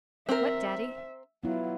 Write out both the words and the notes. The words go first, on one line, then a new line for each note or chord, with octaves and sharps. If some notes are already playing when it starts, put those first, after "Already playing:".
"What, daddy?"
C4 A#4 E5
F#3 B3 E4 F4